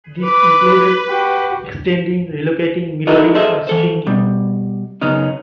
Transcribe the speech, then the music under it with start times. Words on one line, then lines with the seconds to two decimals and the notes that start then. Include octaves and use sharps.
This included extending, relocating, mirroring or shrinking.
0.24 B4 D6
1.09 F#4 G4
3.07 D#4 E4 F#4 A4 A#4 D#5
3.34 F4 G#4 A4 C5 D#5 E5
3.67 E3 A4 C5
4.07 B2 G3
5.01 F#2 C#3 B3 C#4 D#4